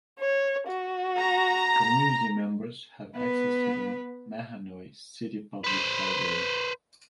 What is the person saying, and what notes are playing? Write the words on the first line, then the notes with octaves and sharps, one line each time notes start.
Community members have access to the Mahanoy City Public Library.
C#5
F#4
A#5
B3 B4
B4 C5